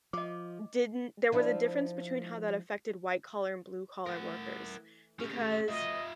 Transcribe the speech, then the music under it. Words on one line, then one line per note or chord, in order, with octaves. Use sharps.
didn't there was a difference between how that affected white collar and blue collar workers because
F3 D#5 D6
F3 D4 E4
E3 A3 A#4 F#5
A3 C#4 G4 G#4
F3 G3 F4 F#4 D#5 E5